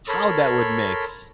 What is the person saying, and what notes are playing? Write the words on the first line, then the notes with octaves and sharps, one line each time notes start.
how that would mix.
A4 A#4 C#5 B5 C6